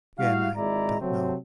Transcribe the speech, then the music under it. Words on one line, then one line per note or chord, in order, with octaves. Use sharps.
Again I don't know.
G3 E4 F#4 F5
G#1 G#3 E4 D5 A#5
C3 F#3 A3 C4